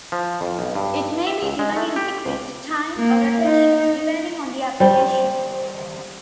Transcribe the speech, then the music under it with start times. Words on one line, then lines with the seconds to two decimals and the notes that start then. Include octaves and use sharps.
It may be given in degrees, time, or rotations depending on the application.
0.12 F3
0.41 F2
0.59 B1
0.75 G2
1.27 E5
1.43 C#2
1.59 G#3
1.76 A3
1.96 G4
2.26 C#2
2.98 A#3
3.43 D#4
4.80 G3 C5